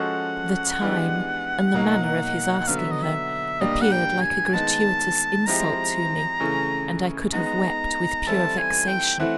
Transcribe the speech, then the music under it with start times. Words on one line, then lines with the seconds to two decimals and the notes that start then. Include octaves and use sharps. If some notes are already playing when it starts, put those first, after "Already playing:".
The time and the manner of his asking her appeared like a gratuitous insult to me; and I could have wept with pure vexation.
Already playing: F3 G#3 C#4 F#4 A4 F#5
0.81 E3 G#3 B3 D4 G4
1.74 B2 F#3 A#3 D#4
2.68 D3 F#3 B3 F5
2.79 E5
2.92 D#5
3.03 E5
3.61 A#2 G3 A#3 D4 G4 D#5
3.82 F#5
3.92 G5
4.23 G#5
4.54 D#3 G#3 B3 A5
5.46 F3 G#3 C4 E4 G4 A#5
6.40 C#3 E3 A3 C#4
7.33 G#3 B3 D#4 A#5
8.27 E3 G3 C4 E4 A4 A5
8.58 G#5
8.88 G5
9.19 E3 A3 C4 E4 F#5